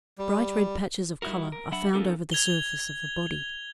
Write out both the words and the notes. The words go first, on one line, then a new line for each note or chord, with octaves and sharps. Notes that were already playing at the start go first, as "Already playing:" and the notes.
Bright red patches of colour are found over the surface of the body.
G3
G3 D#4 E4 F#4 A#4
A#4
F#3 D4 E5 F#5 B5
B3 C#4 D#4 F4 A4 A#4
G#6 F7 G7